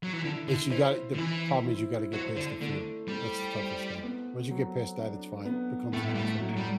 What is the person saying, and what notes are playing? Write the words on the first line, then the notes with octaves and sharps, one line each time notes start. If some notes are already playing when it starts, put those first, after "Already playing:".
this you got the problem is you gotta get past the fear; that's the toughest thing. Once you get past that, it's fine, becomes natural to you.
F#3
E3
D3 E4
D3
E3 C5
D3
E3 E4
E4
F#3 C5
D3
D3 A3
G3 A3
C5
B3
F#3
D4
B3
A2 A3
G3
A3
F#3
G3